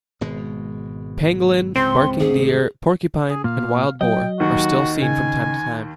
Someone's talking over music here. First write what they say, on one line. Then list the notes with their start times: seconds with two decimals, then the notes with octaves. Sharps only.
Pangolin, barking deer, porcupine and wild boar are still seen from time to time.
0.21 G#1 B2 G#3
1.76 C#2 G#2 C3 C4 C6
2.19 G#1 D2 C3 G#4
3.30 G#4
3.44 A#2 F5
4.01 F#3 D#5 G5
4.40 D#2 D#3 F#4
5.02 C#3 G#5